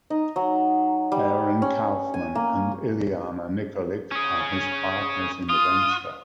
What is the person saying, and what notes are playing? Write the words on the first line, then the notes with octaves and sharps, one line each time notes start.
Aaron Kaufman and Iliana Nikolic are his partners in the venture.
D#4
F#3
G3
C#4
G#5
A#3
C#4 G#4
F4 D#6